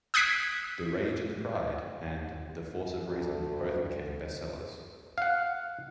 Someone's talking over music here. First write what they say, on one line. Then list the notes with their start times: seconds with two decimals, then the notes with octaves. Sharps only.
"The Rage and the Pride" and "The Force of Reason" both became bestsellers.
0.14 D#6 F#6 G#6 B6 C7 D7
3.04 D2
5.18 F5 F#5